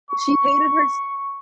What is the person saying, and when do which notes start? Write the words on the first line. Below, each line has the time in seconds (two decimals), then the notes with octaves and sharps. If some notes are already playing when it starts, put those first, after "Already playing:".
She hated her s
0.10 C#6